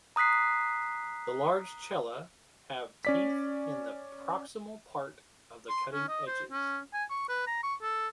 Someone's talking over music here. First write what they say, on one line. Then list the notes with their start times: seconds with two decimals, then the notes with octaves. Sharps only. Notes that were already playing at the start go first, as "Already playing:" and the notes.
The large chela have teeth in the proximal part of the cutting edges.
0.16 A#5 D#6 F#6 B6 C7
3.05 C#4 D5 B6
5.69 C6
5.93 C#4
6.09 D#5
6.27 C5
6.51 C#4
6.93 G#5
7.10 C#6
7.29 B4
7.47 A#5
7.63 C#6
7.82 A4